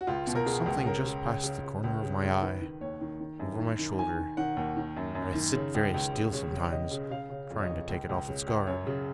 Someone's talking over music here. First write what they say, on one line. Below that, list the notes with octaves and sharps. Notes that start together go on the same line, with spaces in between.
It's like something just past the corner of my eye, over my shoulder, and I sit very still sometimes, trying to take it off its guard.
F#4
C#2 F4
B2
A#4
B2 G#4
C#2
C#3 A#4
C#3
C#3
C#3
C#3
C#2
C#3
C#2
D#3 B4
D#3
D#2 C#5
D#3
D#3
F#2
D#3
D#3
D#3 G#5
D#3
D#3 F#5
D#2
D#3
F#2
F#2
D#3
C#3
C#2
C#2
C#2
C#3 C#5
C#3
C#3 D#5
C#3
C#3 F5
C#3
F2
C#5
D#5
F2
C#2
C#2
C#3
C#2
F#2 C#5
C#3